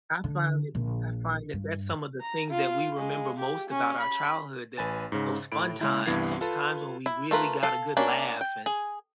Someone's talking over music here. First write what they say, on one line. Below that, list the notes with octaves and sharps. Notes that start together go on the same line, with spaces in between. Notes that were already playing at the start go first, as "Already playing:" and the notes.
I find that I find that that's some of the things that we remember most about our childhood that those fun times, those times when we really got a good laugh and
D3
A#1
G2
A#5
F4
G#3
G4
C#4
B5
A1 B4 G#5 A6
G#2 C#3
A2 B5 D7
C#3 G#3 E4
C2 G2 E3 B3 G#6 C7
F4 A4 B4 A5
E4
A3 F4 A#4 B4
A4 F5
A#3 C#4 D4
G5
G#4